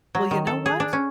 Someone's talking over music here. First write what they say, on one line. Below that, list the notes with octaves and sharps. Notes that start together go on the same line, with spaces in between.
"Well, you know what?
F#3
D#3
A4
G#4
D4
C#4